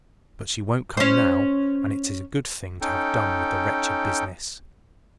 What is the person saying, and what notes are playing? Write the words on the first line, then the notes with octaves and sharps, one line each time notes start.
But she won't come now, and it is a good thing to have done with the wretched business.
C#4 C5
C#4 D#4 A4 G5